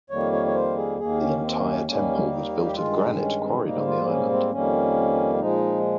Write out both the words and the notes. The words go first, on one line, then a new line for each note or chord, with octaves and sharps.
The entire temple was built of granite quarried on the island.
F2 D#3 G3 A#3 C#5
C#5
C#5
C5
G#4
D#2 D#3 A#3 G#4
C#4
C4
C#4
D#2 D#3 G3 A#3 C#4
D#4
G4
G2 D#3 G#3 F4
D#4
D#4
C#4
C4
G#2 G3 A#3 D#4
F4
C#4
C4
F2 D#3 G3 A#3 C#4
A#2 F3 G#3 D#4